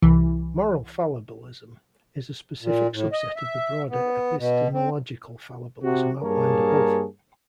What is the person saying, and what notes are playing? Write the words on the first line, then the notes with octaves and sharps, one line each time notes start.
Moral fallibilism is a specific subset of the broader epistemological fallibilism outlined above.
C2 E3
A#2
A2
D#5
E5
B3
B2
C4
C3 F#4
G2 A#3 G#4 A#4 C#5 A5